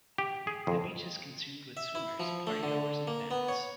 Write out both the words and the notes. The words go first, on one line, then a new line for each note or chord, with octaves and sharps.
The beach is consumed with swimmers, party goers and families.
G4
G#4
F2
E5
E4
F3
A3
D3
A#3
B3
C#5